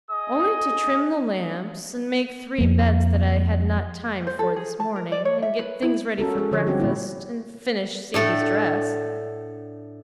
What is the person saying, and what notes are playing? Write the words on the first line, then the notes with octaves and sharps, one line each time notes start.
"Only to trim the lamps, and make three beds that I had not time for this morning, and get things ready for breakfast, and finish Sadie's dress."
G#4 D#5 D#6
F2 A#3
C5
A4
G#4
A5
A#4
D5
C#5
E5
B4
E4
C#4 F#4 A4 A#4
G#3 G#4
D3 F3 G#3 C#5
G3 C4 C#4 F#4 G4
A#2 A#3 E4
A2 A3 D4 A4 E5 F#5